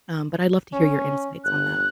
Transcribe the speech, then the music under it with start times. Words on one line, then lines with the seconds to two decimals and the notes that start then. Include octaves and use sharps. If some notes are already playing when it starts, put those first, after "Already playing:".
um, but I'd love to hear your insights on that.
0.73 C#4
1.44 G1 F#6